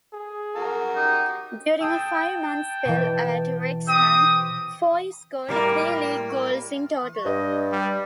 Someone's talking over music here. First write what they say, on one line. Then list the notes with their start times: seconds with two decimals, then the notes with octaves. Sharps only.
During a five-month spell at Wrexham, Foy scored three league goals in total.
0.13 G#4
0.56 F#4 A#4
0.96 D#4 G4
1.80 G#4 G5 A5 D#6 E6
2.85 B2 E3
3.87 C4 G4 G5 D#6
5.49 A2 G3 A#3
7.25 G2 D#5
7.72 G3